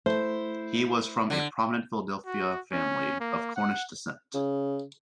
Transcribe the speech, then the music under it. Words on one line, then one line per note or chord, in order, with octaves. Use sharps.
He was from a prominent Philadelphia family of Cornish descent.
A3 E4 C5
D3
F#4
C#4
A#3
F#5
C#3